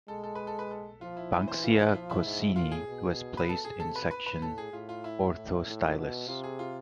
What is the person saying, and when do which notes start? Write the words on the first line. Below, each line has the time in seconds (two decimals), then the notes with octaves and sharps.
"Banksia coccinea" was placed in section "Orthostylis".
0.08 G#3 A4
0.24 A4
0.35 B4
0.47 A4
0.59 B4
0.71 A4
1.01 F3 F4
1.17 E4
1.32 E3 B4
1.48 C5
1.63 F4
1.79 E4
1.89 E4
1.94 F3 F4
2.10 E4
2.25 G#2
2.56 A2 F4
2.72 G#4
2.88 B2
3.37 B4
3.49 A4
3.64 G#4
3.80 C3 A4
3.96 B4
4.11 B4
4.26 B4
4.42 A2 A4
4.58 G#4
4.73 A2 F4
4.89 F4
5.04 E4
5.35 A2
5.66 A2
5.97 B2
6.28 C3 F4
6.44 G#4
6.59 F4